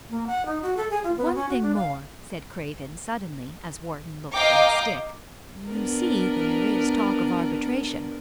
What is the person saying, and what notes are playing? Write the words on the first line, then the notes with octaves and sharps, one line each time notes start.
"One thing more," said Craven suddenly, as Wharton looked for his stick--"you see there is talk of arbitration."
A#3
F#5
D#4
F#4
A4
G#4
F4
B3
C#4
F#4
D4
F5
D#5 F5 G5 A#5 D6
B3 D4 A#4